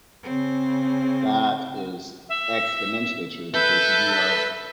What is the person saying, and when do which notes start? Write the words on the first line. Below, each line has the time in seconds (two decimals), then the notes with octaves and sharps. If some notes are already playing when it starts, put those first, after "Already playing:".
That is exponentially true, because we are
0.23 C#3 C4
2.29 E5
3.54 A4 B4 E5 G6